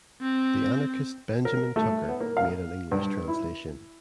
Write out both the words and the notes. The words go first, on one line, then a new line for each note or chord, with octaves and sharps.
The anarchist Benjamin Tucker made an English translation.
C4
A#4
A3
B3
A#3
F5
G2
E4